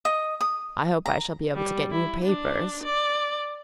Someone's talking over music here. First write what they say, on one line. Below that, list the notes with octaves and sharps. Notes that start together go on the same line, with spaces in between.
I hope I shall be able to get new papers.'
D#5
D#6
A#5
G3
E4
D4
D5